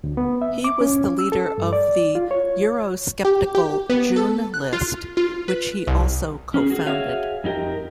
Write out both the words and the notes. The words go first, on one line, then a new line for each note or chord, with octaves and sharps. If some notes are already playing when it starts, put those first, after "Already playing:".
He was the leader of the eurosceptical June List, which he also co-founded.
D2
B3
E5
D6
C#4
E6
A4
G2
D5
F4
C#5
G4
G4
B3
A4
F#6
F4
F4
B4
C2
C#4 G#4
F#4 G#4
F#4 G#4 C#5 E5 F5
F2 D#4 G4 A#4